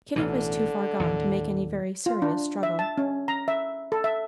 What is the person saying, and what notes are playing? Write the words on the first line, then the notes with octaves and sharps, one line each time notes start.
Kitty was too far gone to make any very serious struggle.
A1 B2 D3 E3
D#2 A2
F4
D4
E5
A5
C#4
A#5
E5
A4
E5